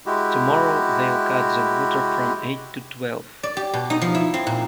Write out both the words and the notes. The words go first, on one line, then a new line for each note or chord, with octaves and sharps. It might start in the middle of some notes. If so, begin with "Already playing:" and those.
Tomorrow they’ll cut the water from eight to twelve.
G#3 E4 F#4 G4
D5
G4
B2
D#4
F3
E4
C4
A#2